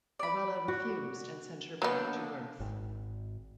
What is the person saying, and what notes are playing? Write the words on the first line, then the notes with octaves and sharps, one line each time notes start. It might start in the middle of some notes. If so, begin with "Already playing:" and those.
Arella refused and sent her back to Earth.
D5 B5
F#4
F#3 A#3 B3 D4 G6
G#1